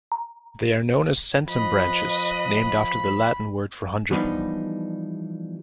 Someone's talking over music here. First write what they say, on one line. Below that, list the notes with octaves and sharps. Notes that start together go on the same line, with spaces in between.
They are known as "centum" branches, named after the Latin word for "hundred".
A#5
F3 B4 D#5 B5
E3 F3 G3 B3 D4 D#4